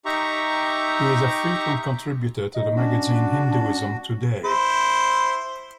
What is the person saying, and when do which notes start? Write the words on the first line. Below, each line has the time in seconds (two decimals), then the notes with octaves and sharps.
He is a frequent contributor to the magazine "Hinduism Today".
0.05 D#4 G4 E5 A#5 C#6
2.54 D#4 D#5
2.76 C#4 D4 F#4
4.45 E4 C5